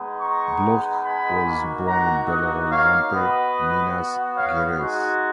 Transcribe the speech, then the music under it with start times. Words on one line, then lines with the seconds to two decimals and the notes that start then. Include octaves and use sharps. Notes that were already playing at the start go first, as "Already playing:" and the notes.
Bloch was born in Belo Horizonte, Minas Gerais.
Already playing: G#3 B3 D#4
0.20 A#5 C#6
1.03 G#5 B5
1.45 A#3 D#4 F#4
1.87 F#5 A#5
2.28 D#5 F#5
2.70 C#5 F5
3.11 B3 F#4 B4 D#5
4.36 C#5 F5
4.78 G#3 D#4 F#4